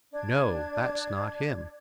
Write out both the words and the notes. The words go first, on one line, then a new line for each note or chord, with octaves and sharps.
"No, that's not him!"
D4 G#6